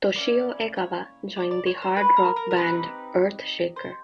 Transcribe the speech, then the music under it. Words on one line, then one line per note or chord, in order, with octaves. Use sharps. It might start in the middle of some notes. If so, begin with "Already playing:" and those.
Toshio Egawa joined the hard rock band Earthshaker.
A#3 C#4 E4 D5
C#5
D5
D5
C#5
C5
B4
A#4
A#4
A#4
C4 D#4 G4 B4
C5